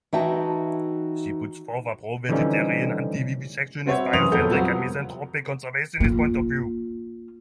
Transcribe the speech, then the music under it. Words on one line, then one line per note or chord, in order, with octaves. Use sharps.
She puts forth a pro-vegetarian, anti-vivisectionist, biocentric, and misanthropic conservationist point of view.
E3 D#4 F#4 E5 G5 A5
D3 E3 F3 G3 C#4 D#4
G3 C4 F#4 C5 C#5 E5
F#1 E3 C#4 C6 D#6 F7
E1 F2 A#2 B3 A4 G6
F#3 G3 C4 F4 F#4
B3
A#3 F4